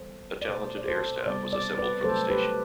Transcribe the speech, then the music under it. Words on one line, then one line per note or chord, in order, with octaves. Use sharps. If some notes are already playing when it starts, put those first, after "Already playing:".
A talented air staff was assembled for the station.
Already playing: E3 G3 B3 A4 C5
D5
B2 A3 A4 C5
D5
A4 C5
C3 G3 B3 D5
D5
B4 D5
C3 F#3 A3 A4 C5
G4 B4